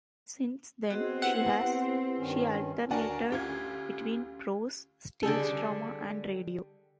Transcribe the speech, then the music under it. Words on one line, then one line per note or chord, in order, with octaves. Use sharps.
Since then, she has she alternated between prose, stage drama and radio.
B3 C4 F#4 G#4 D#5
E4 G4 B4 F#5
G2 D#3 C#4
D2 D4 F#4 A#4 F#5 G#5
D2 C#4 F4 G4 G#6
D3 G3 G#4 A4